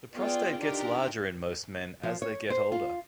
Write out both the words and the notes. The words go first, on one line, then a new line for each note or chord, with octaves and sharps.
The prostate gets larger in most men as they get older.
B3 F4 G#4 D5 G5
D4 D#4 F4 G4 A#4
F3
C#5
C5
F4